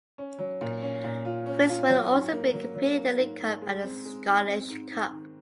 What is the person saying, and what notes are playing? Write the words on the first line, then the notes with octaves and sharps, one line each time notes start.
Queens will also be competing in the League Cup and the Scottish Cup.
C#4
F#3
A#2
C#4
A#2
F4
C#4
F4
F#3
G#2
A#3
F#3
F#3
A#3
G#2
G#2
G#3
C4
G#3
G#2
C4
G#2
G#2
D#3